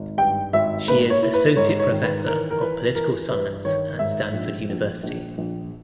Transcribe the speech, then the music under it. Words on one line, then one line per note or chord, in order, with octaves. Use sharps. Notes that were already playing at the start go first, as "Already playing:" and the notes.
She is Associate Professor of Political Science at Stanford University.
Already playing: G#1
G2 G5
G#1 E5
A#3 B4
C#5
E4
B4
G#2 C#5
C#5
D#3
B4
E3 A#4
A#4
E3 B4
E3 A#4
G2 B4
D#3 C#5
G#2 E5
A#1
A#1
A#1
A#1